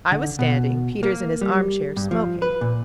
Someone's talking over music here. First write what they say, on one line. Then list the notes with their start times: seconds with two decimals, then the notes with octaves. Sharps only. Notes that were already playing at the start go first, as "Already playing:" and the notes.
I was standing; Peters in his arm-chair, smoking.
0.12 D3
0.39 B2
1.03 A#3
1.41 G3
1.97 G2
2.11 F3
2.42 B4
2.61 A#2